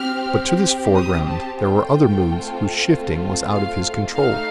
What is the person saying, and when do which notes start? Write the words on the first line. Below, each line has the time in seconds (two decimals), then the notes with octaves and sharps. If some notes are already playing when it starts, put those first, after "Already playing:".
But to this foreground there were other moods whose shifting was out of his control.
Already playing: C4 G4 F6
0.95 D#6
1.28 A5
1.60 A3 C4 F4 A4 G5
3.52 F5
4.15 A3 D#4 A4 F5